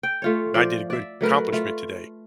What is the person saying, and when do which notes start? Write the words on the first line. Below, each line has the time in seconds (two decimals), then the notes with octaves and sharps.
I did a good accomplishment today."
0.03 G5
0.22 A3 F4 C#5
0.54 F3 D5
0.90 D5 E5
1.21 F#3 A3 A#4 B4
1.52 A3 F4